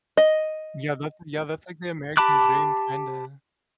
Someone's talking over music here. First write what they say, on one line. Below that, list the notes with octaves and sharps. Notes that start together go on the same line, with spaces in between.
Yeah, that's yeah, that's, like, the American dream kinda.
D#5
G4 A5 B5 D6 F#6